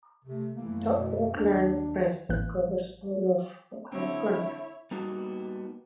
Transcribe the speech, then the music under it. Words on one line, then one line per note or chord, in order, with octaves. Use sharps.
"The Oakland Press" covers all of Oakland County.
C3 A3
F#2 E3 A3 A#3
B2
D#2 D4
A1 E3 A#3 F#6
D3 C4 E4 C#5
G3 A#3 B3 D#4 F#4